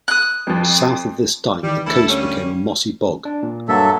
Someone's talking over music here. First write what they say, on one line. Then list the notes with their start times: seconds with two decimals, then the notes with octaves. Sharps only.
South of this dike, the coast became a mossy bog.
0.08 D#6 F#6
0.47 F2 F3
1.63 D#3 E3 G3
1.87 D2 E4 A4
2.08 G3 A#3 C#4
3.25 D4
3.43 A#2
3.68 G2 F#3 A#3 A4 E5